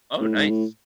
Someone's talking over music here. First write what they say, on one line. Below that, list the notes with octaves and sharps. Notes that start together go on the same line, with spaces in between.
Oh, nice.
A2
G#2
A2